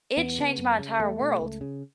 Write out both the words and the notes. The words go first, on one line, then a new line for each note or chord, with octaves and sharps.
it changed my entire world.
E2 B3
C#3
F#2
C#3
E2 A3
B2
C#2
C#3